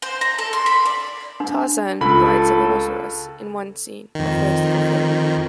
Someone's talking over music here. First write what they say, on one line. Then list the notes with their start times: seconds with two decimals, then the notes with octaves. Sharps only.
Tarzan rides a rhinoceros in one scene - a first for film.
0.02 C5
0.21 A#5
0.38 A4
0.53 C6
0.66 B5
0.86 D5
1.40 D4
2.01 C#2 F4 A4 B5
4.15 F2 D#3